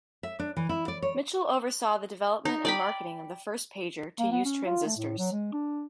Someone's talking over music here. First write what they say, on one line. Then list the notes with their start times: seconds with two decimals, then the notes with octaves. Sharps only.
Mitchell oversaw the development and marketing of the first pager to use transistors.
0.23 E5
0.39 D4
0.56 E3
0.69 E4
0.88 D5
1.02 C#5
2.45 D#4
2.65 D5 G5 B5
4.19 A#3
4.31 B3
4.45 C#4
4.66 F4
4.86 A3
4.97 A2
5.18 F#3
5.32 G#3
5.53 D4